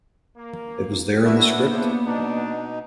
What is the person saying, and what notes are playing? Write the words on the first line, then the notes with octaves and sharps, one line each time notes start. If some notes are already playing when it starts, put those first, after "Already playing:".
It was there in the script.
A#3
A#3 B3 D4 E4 F#4 C#5 E5
C#3 D4 E4 C5
B2 D4 D#4